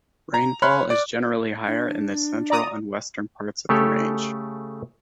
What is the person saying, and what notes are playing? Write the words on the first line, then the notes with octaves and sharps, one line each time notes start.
Rainfall is generally higher in the central and western parts of the range.
A#5
C#5 B5 C6 F6 F#6
D5 D6
D4
D5 A#5 D#6
C#3 A3 G4 A4 C#5